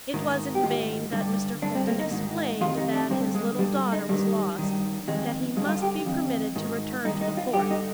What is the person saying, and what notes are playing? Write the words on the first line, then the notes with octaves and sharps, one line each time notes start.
It was in vain that Mr. Fulton explained that his little daughter was lost, that he must be permitted to return to the fort.
G#2 D#3
G4
G#2 D#3 F4
G2 D3
G2 D3 D4
C4
A#3
D#4
G#2 D#3
F2 C3 D#3 F4
D#4
D4
G2 D3 C4
G#3
G2 D3 G3
D#4
G2 D#3 G3
G2 D#3
F2 D#3 G#3
G2 D3 G#3
G4
F4
G4
F2 D#3
G#2 D#3
G2 D#3 D#4
D#4
F4
G2 D3 G4
D#4